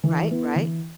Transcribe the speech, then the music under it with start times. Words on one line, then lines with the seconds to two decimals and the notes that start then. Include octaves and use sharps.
Right, right.
0.04 E3
0.30 B3 E4
0.56 E3